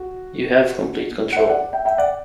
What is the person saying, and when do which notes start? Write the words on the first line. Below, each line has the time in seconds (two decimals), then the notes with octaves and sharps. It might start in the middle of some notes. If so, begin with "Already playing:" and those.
You have complete control.
Already playing: F#4
0.63 F#4
1.32 F#5
1.36 C5 E5
1.49 D5 F#5
1.73 E5 G5
1.85 E5 G5
1.98 D5 F#5